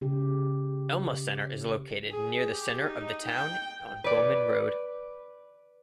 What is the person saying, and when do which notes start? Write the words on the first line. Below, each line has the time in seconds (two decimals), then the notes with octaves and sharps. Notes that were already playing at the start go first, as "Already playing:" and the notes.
Elma Center is located near the center of the town on Bowen Road.
0.01 C#3 G4
2.10 G#4
2.50 G4
2.85 D#4
3.28 G5
4.04 B4 D5